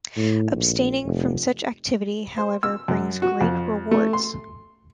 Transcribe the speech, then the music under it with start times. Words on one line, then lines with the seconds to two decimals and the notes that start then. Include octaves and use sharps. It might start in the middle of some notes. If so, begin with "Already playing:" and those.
Abstaining from such activity, however, brings great rewards.
0.16 A2
0.50 A#1
1.04 F1
2.38 C5
2.63 E6
2.88 F#2
3.22 F#4
3.41 F2
3.91 A3
4.13 C6